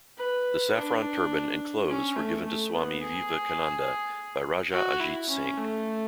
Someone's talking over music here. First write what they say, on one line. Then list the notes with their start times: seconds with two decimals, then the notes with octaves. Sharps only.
The saffron turban and clothes were given to Swami Vivekananda by Raja Ajit Singh.
0.17 B4
0.74 D4
1.89 C#4
2.16 A3
2.45 A3
2.74 B3
3.02 G#4
4.72 F#4
5.00 E4
5.29 C#4
5.57 A3